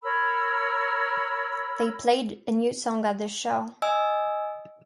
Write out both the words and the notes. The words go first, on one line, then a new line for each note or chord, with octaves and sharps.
They played a new song at the show.
A#4 C#5 B5 E6
D#5 G#5 E6